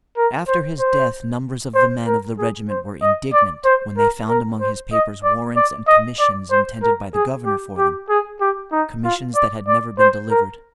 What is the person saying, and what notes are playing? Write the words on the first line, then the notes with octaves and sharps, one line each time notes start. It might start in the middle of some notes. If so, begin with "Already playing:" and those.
After his death numbers of the men of the regiment were indignant, when they found among his papers warrants and commissions intended by the governor for them, commissions that had never been delivered.
A#4
C5
C5
C5
A#4
G#4
C5
D#5
D5
C5
A#4
A#4
C5
D#5
D5
D5
D#5
D5
C5
A#4
G#4
G4
G4
G#4
G4
D#4
F4
D5
D5
C5
A#4